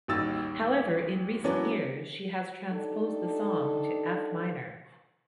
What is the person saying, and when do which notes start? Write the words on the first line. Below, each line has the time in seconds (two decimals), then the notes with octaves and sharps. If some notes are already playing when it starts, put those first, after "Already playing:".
However, in recent years, she has transposed the song to F minor.
0.08 A1 D#2 G3 D#4 E6 A6
1.44 E3 F#3 A#3 B3 C#4 D4
2.72 D4 D#4 G4 A4